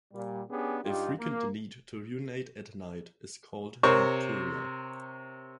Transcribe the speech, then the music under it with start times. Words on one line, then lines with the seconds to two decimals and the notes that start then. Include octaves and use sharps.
A frequent need to urinate at night is called nocturia.
0.12 A#2 G3
0.49 B3 C#4 D4 G4 G#4
0.83 G2 D#4 F4 G4
1.18 A#3
3.83 C3 A#4 C5 C#5 C#6